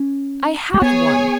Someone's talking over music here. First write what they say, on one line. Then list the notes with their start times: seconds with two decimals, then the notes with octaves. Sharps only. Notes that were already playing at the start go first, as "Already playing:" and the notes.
"I have one."
Already playing: C#4
0.74 G#3
0.81 B3 G#4 C#5 G#5